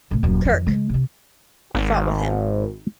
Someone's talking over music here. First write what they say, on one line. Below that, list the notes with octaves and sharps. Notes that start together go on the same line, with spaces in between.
Kirk: I fought with him.
C2 A2
D#1 F#2
F2 D#3
C#3 G#3
C3 D4
G#1